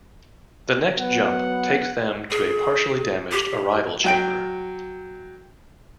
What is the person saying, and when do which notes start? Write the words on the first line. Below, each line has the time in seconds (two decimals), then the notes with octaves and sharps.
The next jump takes them to a partially damaged arrival chamber.
0.98 F#3 B3 F#5
2.31 G#4
3.32 G4
4.04 F#3 G5 D7